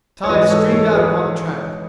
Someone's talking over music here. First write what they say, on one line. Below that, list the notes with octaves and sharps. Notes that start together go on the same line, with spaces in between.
Ties streamed out upon the track.
C#5
G#2 E3 B4 D#5
A4 C#5
A4 C#5
G#4 B4